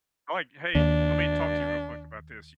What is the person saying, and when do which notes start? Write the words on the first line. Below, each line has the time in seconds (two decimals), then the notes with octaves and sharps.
I like, "Hey, let me talk to you real quick about this.
0.75 D#2 D4